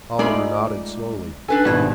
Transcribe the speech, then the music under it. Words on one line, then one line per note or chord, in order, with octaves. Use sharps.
Oliver nodded slowly.
G#3 A3 D#4 F4 D5 E5 B5
D4 A4 B4 G#5
G#1 G#2 B2 G3 E4